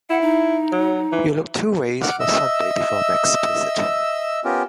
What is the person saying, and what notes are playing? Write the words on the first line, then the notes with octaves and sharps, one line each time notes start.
You'll look two ways for Sunday before I'm explicit.
E4 F#5
D#4
F#3
E3
F#5 D6 F6
D#5 E5 E6
B3 C#4 F4 G4 A#4